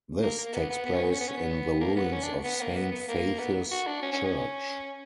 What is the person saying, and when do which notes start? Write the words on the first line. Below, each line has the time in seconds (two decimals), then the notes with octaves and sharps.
This takes place in the ruins of Saint Faith's Church.
0.22 A#3
0.38 A#3
0.54 B3
0.70 B3
0.86 B3
0.95 C#4
1.03 B3
1.11 C#4
1.20 B3
1.28 C#4
1.37 B3
1.81 A#3
1.96 B3
2.13 C#4
2.23 D4
2.44 B3
2.61 A#3
2.76 B3
2.92 B3
3.08 A#3
3.39 B3
3.71 F#4
3.87 D4
4.02 C#4
4.13 C#4
4.24 C#4